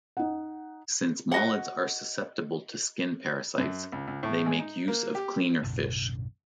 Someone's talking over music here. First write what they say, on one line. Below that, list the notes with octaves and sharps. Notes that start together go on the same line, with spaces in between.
Since molids are susceptible to skin parasites, they make use of cleaner fish.
D#4 F#5
F#4 D#5 F#5
F#2
C#2
C#2
A2
G#3
D#4
A#3
G4
B1 F#2 A2 D3